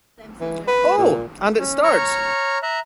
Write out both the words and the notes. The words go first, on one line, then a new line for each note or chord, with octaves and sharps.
Oh! And it starts!
E3
B4
A#2
C#4
C#5 A#5 C#6 F6
E5 A#5 F#6